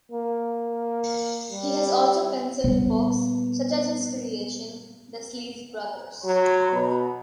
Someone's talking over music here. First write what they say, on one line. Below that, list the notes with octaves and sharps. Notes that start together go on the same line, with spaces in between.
He has also pencilled books, such as his creation "The Sleeze Brothers".
A#3
G3
A#2 G3 B3
F#3
B2